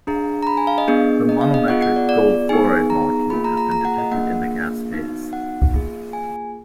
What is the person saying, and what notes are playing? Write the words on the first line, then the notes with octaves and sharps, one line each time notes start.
The monomeric AuF molecule has been detected in the gas phase.
D4 G#4 A#5
A#5
B5
G#5
F5
D#5
B3 D4 G#4
D#5
F5
D#5
B3 F4 G#4 F#5
F#5
D5
D5
B3 D#4 G#4 G#5
A#5
A#3 F4 G#4 B5
A#5
A#5
A#5
F#5
D#5
A#3 D4 F4 G#4 F#5
B3 D#4 F#4
F#5
A#3 F4 G#4
G#5